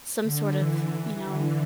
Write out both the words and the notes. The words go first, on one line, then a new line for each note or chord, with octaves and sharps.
some sort of, you know
D3
E3
E3
D3